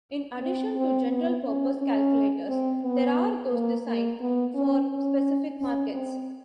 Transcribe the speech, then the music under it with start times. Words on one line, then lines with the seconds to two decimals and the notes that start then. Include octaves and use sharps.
In addition to general purpose calculators, there are those designed for specific markets.
0.41 C4
0.75 C4
1.10 B3
1.44 C#4
1.79 C#4
2.48 C4
2.83 B3
3.52 A#3
3.86 A#3
4.21 B3
4.55 C#4
4.89 C#4
5.59 C#4
5.93 C4